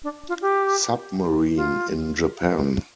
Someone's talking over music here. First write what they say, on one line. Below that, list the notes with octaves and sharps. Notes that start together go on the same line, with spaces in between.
Submarine in Japan.
D4
F4
G4
F4